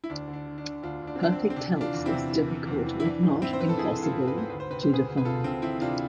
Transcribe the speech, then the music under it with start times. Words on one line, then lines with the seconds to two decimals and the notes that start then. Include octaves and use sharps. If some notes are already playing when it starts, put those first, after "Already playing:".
Perfect health is difficult, if not impossible, to define.
0.04 E4
0.10 D2 D4
0.28 D3
0.33 D4
0.46 D3
0.58 D4
0.64 D3
0.82 D2 D4 F4
1.02 D2
1.07 D4
1.15 C4
1.20 D3 D4
1.32 C4
1.38 D2
1.50 C4
1.56 C3 D4
1.76 E3 D4 F4
1.93 E2
2.06 C4 E4
2.12 C3
2.31 E3
2.48 E3
2.67 E2
2.86 E3
3.00 E4
3.04 E3 D4
3.23 G#2
3.41 E3 C4 E4
3.53 C5
3.59 E3 B4
3.69 A4
3.78 G#2 E4 G#4
3.97 G#2
4.03 F4 A4
4.15 E3
4.27 B4
4.34 G#2 C5
4.50 D2 B4
4.60 C5
4.70 C3 B4
4.83 C5
4.88 D2
4.93 G#4 B4
5.07 D2
5.17 B4
5.25 D2 F4 A4
5.44 D2 C4
5.62 E3 C4 E4
5.80 C3 D4 F4